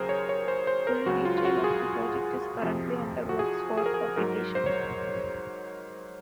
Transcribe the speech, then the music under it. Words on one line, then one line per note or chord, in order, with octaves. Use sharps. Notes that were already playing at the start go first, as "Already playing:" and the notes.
Full detail of the project is currently under works for publication.
Already playing: D#2 C#3 F#3 G#4 A#4 C5
C#5
C#5
C5
C5
A#4
C#2 C#3 F#3 F#4
F4
F4
F#4
G#4
F2 C3 F3
F#4
G#4
G#4
A#4
G#4
G#2 F#3 A#4
C5
C#5